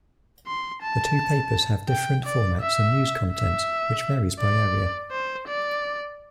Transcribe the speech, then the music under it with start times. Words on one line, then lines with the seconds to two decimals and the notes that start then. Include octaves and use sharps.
The two papers have different formats and news content which varies by area.
0.47 C6
0.82 A5
1.89 G5
2.26 D5
2.61 E5
3.33 E5
4.40 D5
5.11 C5
5.48 D5